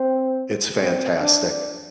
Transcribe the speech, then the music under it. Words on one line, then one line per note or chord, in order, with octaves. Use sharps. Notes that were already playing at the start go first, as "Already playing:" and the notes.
It's fantastic.
Already playing: C4
C4
D4